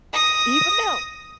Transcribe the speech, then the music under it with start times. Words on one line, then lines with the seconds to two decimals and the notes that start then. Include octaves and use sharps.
even them.
0.13 D#6 A#6